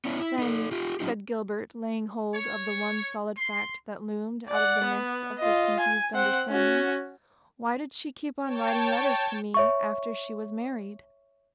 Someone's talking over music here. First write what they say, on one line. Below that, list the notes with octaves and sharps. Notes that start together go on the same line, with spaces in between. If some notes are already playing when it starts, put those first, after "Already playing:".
"Then," said Gilbert, laying hold of the one solid fact that loomed out of the mist of his confused understanding, "why did she keep on writing letters to me after she was married?"
B3 C#4 D4 E4 C#5
E4
D#4 A4
F4 G4
F#3 C#4 D#4 F4 G4
C#5
C6
D5 F#5
B3
F4 D#5
G#5
C4 F#5
C#4 F#4
C#5 G5 A5
C#5 E5 C#6